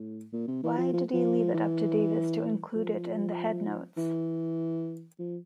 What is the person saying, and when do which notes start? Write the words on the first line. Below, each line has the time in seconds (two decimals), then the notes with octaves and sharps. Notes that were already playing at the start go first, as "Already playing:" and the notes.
Why did he leave it up to Davis to include it in the headnotes?
Already playing: A2
0.33 A#2
0.47 C3
0.63 E3
0.78 F3
0.93 F3
1.13 F3
1.54 E3
2.75 F3
3.97 E3
5.19 F3